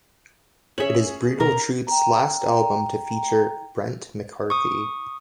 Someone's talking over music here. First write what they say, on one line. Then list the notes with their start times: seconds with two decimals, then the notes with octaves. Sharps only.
It is Brutal Truth's last album to feature Brent McCarthy.
0.78 C#4 G#4 C#5 E5 F#7
1.40 B2 A#4 A#5
1.87 G5 A#5
4.50 C#6 D#6